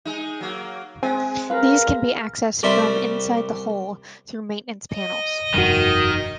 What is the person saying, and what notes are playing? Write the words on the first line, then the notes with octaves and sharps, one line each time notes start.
These can be accessed from inside the hull through maintenance panels.
G#3 D#4
F#3 A#3
G#3 C4 G#5
A#4 B4 F5
C2 C3 G3 C4 E5
D#5
F1 G2 D#3 F#4